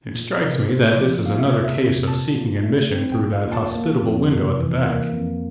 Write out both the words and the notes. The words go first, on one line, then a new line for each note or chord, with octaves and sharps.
'It strikes me that this is another case of seeking admission through that hospitable window at the back.'
A#2
C3 A#4
C3 C5
F3 D5
A#3 F5
E5
C3 D5
E5
C3
A#2 A5
A#2
A3
C4
G5
A#2
F5
A#2
A5
A#3
F2
C3
E3
A#3
F2